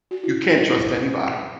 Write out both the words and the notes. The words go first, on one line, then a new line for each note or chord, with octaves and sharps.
you can't trust anybody,
F#4
E4
E4
G3 C4 D#4 E4
E4